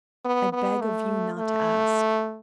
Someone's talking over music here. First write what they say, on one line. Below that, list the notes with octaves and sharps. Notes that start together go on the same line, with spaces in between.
I beg of you not to ask.
B3
B3
A3
A3